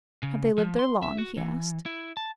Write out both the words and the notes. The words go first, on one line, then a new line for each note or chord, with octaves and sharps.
"Have they lived there long?" he asked.
C#3
F3
C6
E5
F#4
E3
E4
A5